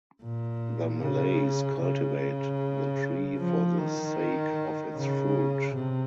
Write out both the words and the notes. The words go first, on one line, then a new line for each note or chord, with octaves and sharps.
The Malays cultivate the tree for the sake of its fruit.
A#2
C#3
C#3
F3
D#3
C#3
C3